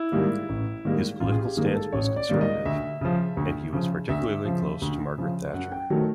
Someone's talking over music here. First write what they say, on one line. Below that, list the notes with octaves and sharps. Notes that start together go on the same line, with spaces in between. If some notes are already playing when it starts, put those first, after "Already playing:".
His political stance was conservative, and he was particularly close to Margaret Thatcher.
Already playing: E4
G#2 D#3 G3 A#3
A1
G#2 D#3 G3 A#3
A1 F4
G#4
G4
G#2 D#3 G3 A#3 G#4
A4
A1 C#5
D5
G#2 D#3 G3 A#3
D#5
D2 E5
C#3 F3
D2
C#3 F3
D2 E5
C#3 F3
D2
C#3 F3
F#2 F#5
G5
D#3 F#3 A3